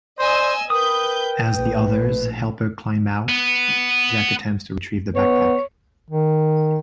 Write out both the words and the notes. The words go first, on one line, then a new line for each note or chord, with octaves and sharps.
As the others help her climb out, Jack attempts to retrieve the backpack.
C5 D5 D#5 G#5 E6
A#4 B4 G5 D#6 G6
A#1 A2 B4
B3
B3 C#5
D#3